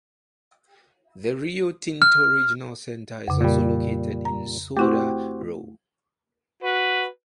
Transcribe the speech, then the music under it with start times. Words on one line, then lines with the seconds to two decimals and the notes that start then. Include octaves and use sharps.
The Rio Tinto Regional Center is also located in SoDa Row.
2.02 F6
3.28 F2 C#3
3.41 A#2 G3
4.25 A#5
4.77 A3 C4 E4 F#4 G4
6.63 F#4 B4